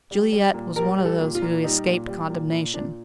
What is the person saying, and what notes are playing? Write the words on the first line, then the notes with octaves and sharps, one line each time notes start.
Juliette was one of those who escaped condemnation.
G3
G3
A#2
G3 A#4
G3
A4
A#2
F4
A#2
G3 D#4
A#2
G3
A#2
A#2
A#2 D4